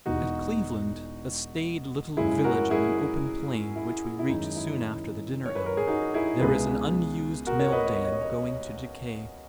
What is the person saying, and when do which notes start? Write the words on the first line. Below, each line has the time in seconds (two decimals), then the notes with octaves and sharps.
At Cleveland, a staid little village on an open plain, which we reached soon after the dinner-hour, there is an unused mill-dam going to decay.
0.06 E1 E2 B2 D#4 F#4
2.17 F#2 C#3 G#3 E4 G#4
2.44 F#4 A#4
2.70 E4 G#4
3.76 E4
4.19 E4
4.29 F#2 D#3 G#3 D#4
4.56 E4
5.46 C#5
5.55 B4
5.66 A#4
5.77 G#4
5.87 D#4 F#4
6.14 E4 G#4
6.40 C#2 B2 G#3 G#4 B4
7.47 F#4 A#4
7.59 A#4 C#5
7.72 B4 D#5
7.87 C#5
7.95 D#5
8.04 C#5
8.12 D#5
8.21 C#5